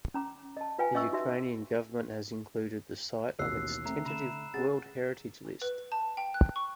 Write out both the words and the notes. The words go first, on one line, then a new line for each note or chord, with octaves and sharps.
The Ukrainian government has included the site on its tentative World Heritage List.
C#4 A#5 D6
D#5 A5
F4 B4 F5 G5 G#5
C#4 D#5 E5 C#6 E6
D#4 F#4 E5
A1 D#2 B2 E6 F#6 C7
A3 C4 A#5
D3 A3 B5 E7
C#4 G#4 F#5 A6
B4
A5
G5
F#6
C#6